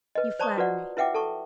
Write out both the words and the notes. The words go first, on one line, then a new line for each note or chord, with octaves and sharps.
"You flatter me!"
B4 D#5
C5 D5 A5 A#5 C#6 D#6
F4 F#4 B4 C5 D5 F#5
E4 B4 E5 F#5 G5 D6
A4 A5 C#6